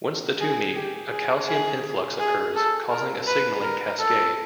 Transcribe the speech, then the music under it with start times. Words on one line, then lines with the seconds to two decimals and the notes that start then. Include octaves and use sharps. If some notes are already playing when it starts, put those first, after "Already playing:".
Once the two meet, a calcium influx occurs, causing a signaling cascade.
0.41 G#4
0.76 G4
1.12 G#4
1.48 G#4
2.20 G#4
2.56 A4
2.91 A#4
3.27 B4
3.63 A#4
3.99 A4